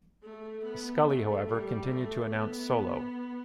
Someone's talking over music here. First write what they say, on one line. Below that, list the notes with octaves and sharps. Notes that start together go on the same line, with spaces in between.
Scully, however, continued to announce solo.
A3
B3
A3
G3
A3
B3